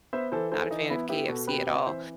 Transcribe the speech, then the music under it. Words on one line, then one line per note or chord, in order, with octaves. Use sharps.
not a fan of KFC at all,
B3 C5 E5
E3 A4 C5
E3 A4 C5
E3 D#4
B3 E4
B3 E4 G4
B2 F#4 A4
C4 G4 B4
C4 B4 D#5
E3 C5 E5